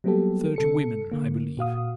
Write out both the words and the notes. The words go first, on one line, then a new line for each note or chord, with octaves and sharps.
Thirty women, I believe.
F#3 G3 A#3 B3 G4 A4
C3 A4 C#7
D3 A#3
A#2 F#4 F5 D#6